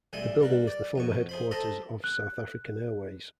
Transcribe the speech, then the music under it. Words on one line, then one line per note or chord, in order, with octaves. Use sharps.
The building is the former headquarters of South African Airways.
B1 G3 G#3 E4 G#5
G3 A#4 B4
D5
F2 B2 C#6
G#4 C5 B5
A4 C5 D#5 A#5 B5
F#6